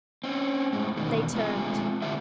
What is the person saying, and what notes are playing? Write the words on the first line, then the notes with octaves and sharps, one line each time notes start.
They turned.
C4 C#4
A2 G#3
E2 B2 D#3
G#3 A3 C4 F4
A2 D3 E4 G4 C5 E5